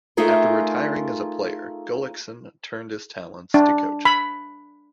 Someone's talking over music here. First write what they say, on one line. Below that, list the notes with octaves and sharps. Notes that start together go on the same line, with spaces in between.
After retiring as a player, Gullikson turned his talents to coaching.
A3 D#4 F4 G#4 A#4
D4
B5